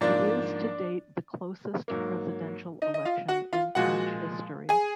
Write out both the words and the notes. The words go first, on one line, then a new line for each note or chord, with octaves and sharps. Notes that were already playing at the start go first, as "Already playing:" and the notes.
It is to date the closest presidential election in French history.
G#2 F3 A#3 D4 D5
G#2 F#3 A#3
D#4 D#5
D#5
F4 F5
F#4 F#5
F4 F5
A#2 F3 G#3 F#4 F#5
G#4 G#5